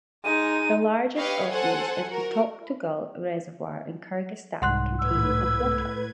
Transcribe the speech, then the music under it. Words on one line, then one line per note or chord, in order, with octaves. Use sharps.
The largest of these is the Toktogul Reservoir in Kyrgyzstan containing of water.
G#3 D#4 D#7
G4 B4 C#5 D#5 F5
A4 C5 F#5 G#5
F#4 A#4
C2 G#2 F#5 C6 F#6
A2 B4 E6 G#6